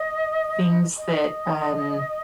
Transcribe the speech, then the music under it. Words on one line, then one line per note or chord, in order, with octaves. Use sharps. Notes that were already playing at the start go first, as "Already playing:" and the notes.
things that, um
Already playing: D#5
D#5